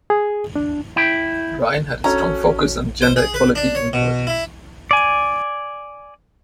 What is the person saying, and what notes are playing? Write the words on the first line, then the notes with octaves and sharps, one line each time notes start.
Ryan had a strong focus on gender equality in politics.
G#4
D4
E4 G5
C#4 F#4 A4 C#5 A#5
C5
G#4
B4
D4
C#5
B2
E4
D5 G#5